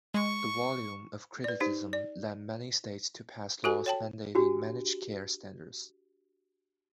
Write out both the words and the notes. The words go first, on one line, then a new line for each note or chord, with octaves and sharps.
The volume of criticism led many states to pass laws mandating managed-care standards.
G#3 C#6
B4 D5
D#4 G4 C5
D5
F#4 G4 A4 G#5
C#5 G5 A5
D4 F#4 G4